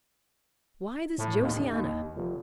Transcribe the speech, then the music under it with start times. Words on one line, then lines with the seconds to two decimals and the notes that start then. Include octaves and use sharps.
Why this Josiana?
1.18 A2
1.41 D#2
1.53 D1
1.72 D#2
2.15 F1